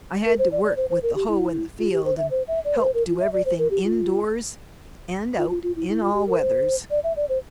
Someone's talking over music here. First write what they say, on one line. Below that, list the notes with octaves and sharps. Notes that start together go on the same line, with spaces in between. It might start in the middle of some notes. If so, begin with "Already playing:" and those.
I had to work with the hoe in the field and help do everything in doors and out in all weathers.
A#4
C5
D5
D5
C5
C5
A#4
G4
E4
F4
G4
C5
E5
C5
E5
D5
A#4
C5
A#4
F4
E5
D5
C5
A#4
G4
F4
F4
F4
F4
E4
E4
F4
G4
A#4
C5
D5
E5
D5
C5